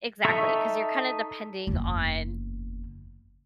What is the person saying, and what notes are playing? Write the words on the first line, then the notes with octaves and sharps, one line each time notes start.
Exactly, 'cause you're kinda depending on
D#4 A4 E5 A#5 C#6
F#1 E2